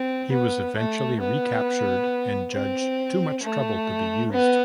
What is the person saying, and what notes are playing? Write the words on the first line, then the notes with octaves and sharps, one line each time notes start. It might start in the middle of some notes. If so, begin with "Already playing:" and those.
He was eventually recaptured and judged too much trouble to be used.
Already playing: C4
B3
A3
B3
C4
A3
B3